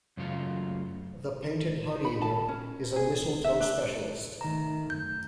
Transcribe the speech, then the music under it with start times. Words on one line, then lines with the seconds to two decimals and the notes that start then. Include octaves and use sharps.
The painted honeyeater is a mistletoe specialist.
0.17 F#2 C#3 A3 F4 F#4
2.05 B5
2.22 A5
2.48 C#4
2.96 G#4
3.44 E5
3.60 D4
4.41 D#3 A3 A#5
4.90 F#2 G6